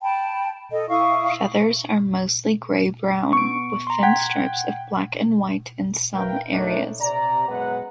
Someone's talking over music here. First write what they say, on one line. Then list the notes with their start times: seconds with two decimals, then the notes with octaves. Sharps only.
Feathers are mostly grey brown, with thin strips of black and white in some areas.
0.02 G5 A5 B5
0.71 A4 D#5
0.89 E4 F5 C#6 D#6
3.33 B3 C#6 D7
3.87 A#5 C6
4.03 F#5 G5 G#6 B6
6.14 A#4 B4 E5 F5 G5
6.52 A3 D4 D#4 A#4 C#5 E5
7.00 C3 D5 A#5
7.48 F#2 G#3 B3 B4 F#5